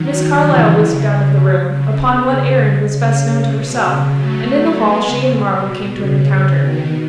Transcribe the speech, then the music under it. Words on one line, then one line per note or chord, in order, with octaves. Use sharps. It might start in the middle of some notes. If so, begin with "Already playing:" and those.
Miss Carlyle whisked out of the room; upon what errand was best known to herself; and in the hall she and Marvel came to an encounter.
Already playing: D#3 F#3
C#3 E3
C#3
C#3
C#3
C#3
C#3
B2
C#3
F#3 A3
F#3 A3
G#3 B3
C#3
B2
C#3
C#3
B2 D#3